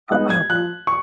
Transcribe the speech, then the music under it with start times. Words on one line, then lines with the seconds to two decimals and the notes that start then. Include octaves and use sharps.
uh, oh god.
0.11 G#3 B3 D#4 F#6
0.30 G#6
0.49 F3 F#6
0.87 C#6